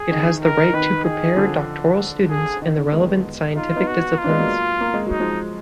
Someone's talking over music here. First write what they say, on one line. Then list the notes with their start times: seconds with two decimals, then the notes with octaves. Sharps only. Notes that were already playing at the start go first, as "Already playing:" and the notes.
It has the right to prepare doctoral students in the relevant scientific disciplines.
Already playing: G#4
0.12 D#3
0.43 A#4
0.73 D#3 B4
1.05 G#4
1.36 D3 F3
2.30 G#4
2.62 D#3
2.77 D3
2.92 G#3 B3
3.56 D#4 F4
3.76 B3 D#4
3.87 F#4
4.18 F4
4.24 D4
4.29 G#3 B3
4.39 F#3 A#3
4.81 A#3
4.94 G#3
5.06 F#3 D#4
5.20 F3 G#3